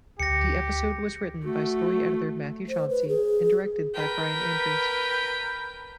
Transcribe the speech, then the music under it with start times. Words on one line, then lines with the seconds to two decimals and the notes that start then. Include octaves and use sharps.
The episode was written by story editor Matthew Chauncey and directed by Bryan Andrews.
0.20 D2 G4 A#6 C#7
1.44 A3 F#4
2.69 C5
2.90 B4
3.08 G#4
3.94 A#4 B4 G5